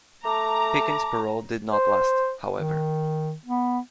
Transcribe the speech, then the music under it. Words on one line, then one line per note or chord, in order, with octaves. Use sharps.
Pickens' parole did not last, however.
A3 A5 A#5 D6
C5
D#3
B3